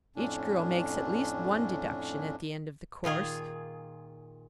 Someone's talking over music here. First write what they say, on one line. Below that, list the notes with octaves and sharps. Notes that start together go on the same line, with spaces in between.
Each girl makes at least one deduction at the end of the course.
F2 A2 C#4 D4
A#2 D#3 F4 G#4